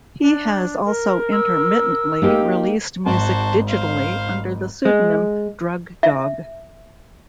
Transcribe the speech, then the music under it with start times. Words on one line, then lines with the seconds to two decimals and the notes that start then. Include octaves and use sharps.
He has also intermittently released music digitally under the pseudonym Drug Dog.
0.20 D4
0.85 A#4
1.31 E6
2.22 A#3 D#4 G4
3.06 G#1 G#2 F#4 C5 A5
3.69 C5 F5
4.85 G#3
6.03 E5